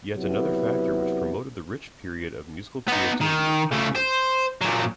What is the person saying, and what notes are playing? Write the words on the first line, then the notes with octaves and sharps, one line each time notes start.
Yet another factor which promoted the rich period of musical creativity was printing.
C3 F#3 B3 E4
B3 D#4
D#3
C#3 A3
C5
A#2 F#3